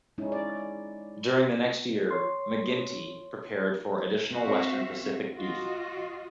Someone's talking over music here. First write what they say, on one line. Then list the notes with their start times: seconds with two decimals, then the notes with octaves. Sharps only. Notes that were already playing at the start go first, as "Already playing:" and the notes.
During the next year, "McGinty" prepared for additional western Pacific duty.
0.18 G#3 C#4 D#4 E4
0.32 D5
2.11 C#5 C6
4.30 C4 F#4 E5 F5
5.33 F4 F#4 D#5